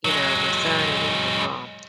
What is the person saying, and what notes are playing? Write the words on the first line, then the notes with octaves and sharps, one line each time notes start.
you know, my son and then her mom.
F#3 G#3